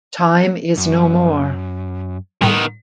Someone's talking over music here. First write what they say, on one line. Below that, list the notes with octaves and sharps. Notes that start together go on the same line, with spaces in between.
Time is no more.
F#2
A2 D#3 G3 B3